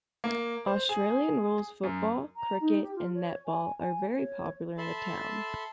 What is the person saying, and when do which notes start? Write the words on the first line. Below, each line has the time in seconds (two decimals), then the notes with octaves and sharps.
Australian rules football, cricket and netball are all very popular in the town.
0.24 A#3
0.67 C5
0.89 G#4
1.83 F#2
2.36 A#5
2.61 D#4
2.82 G4
2.96 F4
3.14 C#5
3.46 G#5
3.79 G#5
4.14 C#5
4.78 A4 E5 A5 B5 C6